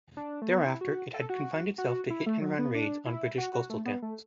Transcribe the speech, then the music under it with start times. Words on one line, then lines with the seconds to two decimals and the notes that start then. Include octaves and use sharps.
Thereafter it had confined itself to hit-and-run raids on British coastal towns.
0.17 D4
0.42 A3
0.50 B3
0.66 E4
0.81 F#4
1.14 A4
1.30 F#4
1.78 F#4
2.10 E4
2.26 A3
2.41 F#3
2.59 B3
2.75 D4
3.06 E4
3.38 F#4
3.54 F#4
3.70 A3
3.86 B3
4.02 A3